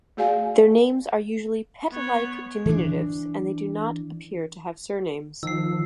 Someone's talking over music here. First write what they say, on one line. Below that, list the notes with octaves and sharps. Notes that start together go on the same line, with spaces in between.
Their names are usually pet-like diminutives, and they do not appear to have surnames.
A3 F#4 G#4 D5 F5 G#5
B3 C#5
E3 D4
D#3 F3 E6 C7